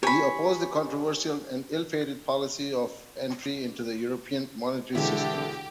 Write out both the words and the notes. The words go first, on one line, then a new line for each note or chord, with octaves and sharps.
He opposed the controversial and ill-fated policy of entry into the European Monetary System.
G4 C5 C#5 G#5 B5
B2 D3 E3 G#3 G4 A4 E5